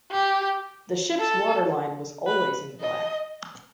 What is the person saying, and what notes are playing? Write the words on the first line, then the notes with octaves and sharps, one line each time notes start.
The ship's waterline was always in black.
G4
A4
B4
D#5